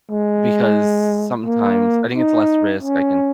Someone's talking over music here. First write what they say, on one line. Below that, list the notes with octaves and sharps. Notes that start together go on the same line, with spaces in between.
because sometimes I think it's less risk, I can
G#3
A#3
D#4
C#4